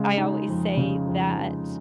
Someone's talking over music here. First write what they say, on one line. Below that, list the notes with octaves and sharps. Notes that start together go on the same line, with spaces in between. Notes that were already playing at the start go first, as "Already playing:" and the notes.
I always say that
Already playing: C#3 G#3
D#4
F2
C#3
F2
F2